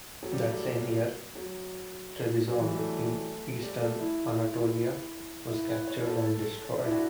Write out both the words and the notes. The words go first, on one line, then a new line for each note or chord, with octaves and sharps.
That same year Trebizond, in eastern Anatolia, was captured and destroyed.
F#3
G3
A3
G3
F#3
F#3
E3
G3
A3
G3
A3
E4
E4
B4
C#5
A4
A4
D4
E4
F#4